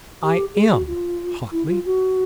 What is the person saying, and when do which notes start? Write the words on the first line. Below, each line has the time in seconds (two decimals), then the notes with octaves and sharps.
"I am!" hotly.
0.22 G4
0.54 G#4
0.71 F#4
0.87 F4
1.52 E4
1.68 F4
1.85 F#4